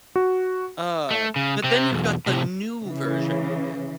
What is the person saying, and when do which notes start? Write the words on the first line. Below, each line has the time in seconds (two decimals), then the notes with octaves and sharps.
Uh, but then you've got the new version of it,
0.16 F#4
1.11 A3
1.36 C#3
1.64 C3 C4
1.92 B1 E2
2.26 A2 C3
2.84 C#3 E3